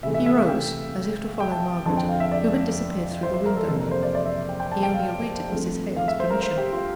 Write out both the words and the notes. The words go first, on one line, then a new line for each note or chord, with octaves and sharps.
He rose, as if to follow Margaret, who had disappeared through the window he only awaited Mrs. Hale's permission.
C3 E3 A3 E5
E5
E5
F5
G5
G5
A5
F2 D3 F3 C4 A5
G5
F5
E5
D5
C5
C5
A#4
A4
F2 C3 E3 A#3 D4 A4
A#4
C5
D5
D5
E5
G5
G5
A5
G5
F5
G2 F3 A3 C4
F5
E5
C5
A#4
C5
G4
F4